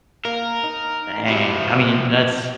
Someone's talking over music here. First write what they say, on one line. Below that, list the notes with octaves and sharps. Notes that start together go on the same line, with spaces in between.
Dang. I mean, that's
A#3 A#4
D#4
C3 F3 G3 E4 F#4